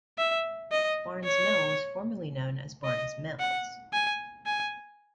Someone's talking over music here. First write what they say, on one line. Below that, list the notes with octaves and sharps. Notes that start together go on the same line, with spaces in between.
Barnes Mill was formerly known as Barnes Mills.
E5
D#5
C#5
D#5
F#5
G#5
G#5